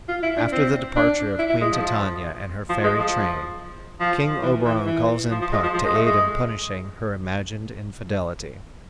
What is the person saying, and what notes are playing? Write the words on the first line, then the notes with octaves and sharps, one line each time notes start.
After the departure of Queen Titania and her fairy train, King Oberon calls in Puck to aid in punishing her imagined infidelity.
F4
E4
D4
C4
D4
E4
E4
G#3
F3
F3
G#3
F3
F3
E3
E3
E3
F3
F3
G#3
F3
F3
G#3
A3
G#3